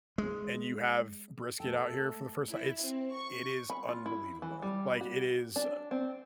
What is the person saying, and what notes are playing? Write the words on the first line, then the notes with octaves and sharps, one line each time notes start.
and you have brisket out here for the first time, it's it is unbelievable. Like, it is, uh
G#3
A3 A4 G5
E4
C4
C#6
B5
F4
E4
E3
G3
F#4
D4
C4